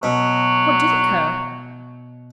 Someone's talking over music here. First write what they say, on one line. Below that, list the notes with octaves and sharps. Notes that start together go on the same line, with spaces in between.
What did occur?
B2 F#3